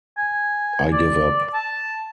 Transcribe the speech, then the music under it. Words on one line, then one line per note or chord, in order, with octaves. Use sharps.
I give up.
G#5
D5
A5